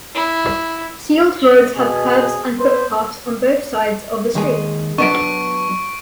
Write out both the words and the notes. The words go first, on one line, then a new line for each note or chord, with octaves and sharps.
Sealed roads have kerbs and footpaths on both sides of the street.
E4
B2 G#4
B3 C5
D#2 G#3 G#4
F#3 B3 D4 C#6 D7